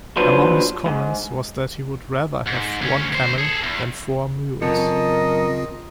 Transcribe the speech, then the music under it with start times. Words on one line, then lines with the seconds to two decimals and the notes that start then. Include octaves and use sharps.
Among his comments was that he would rather have one camel than four mules.
0.16 D#2 F3 F#3 D4 B4 C5
0.86 G#2
2.47 G#2
2.82 D2 C#4
3.12 D2 C5
3.38 G#4 A4
3.63 E2
4.62 F#2 C#3 C4 F4 A4 A#4 D#5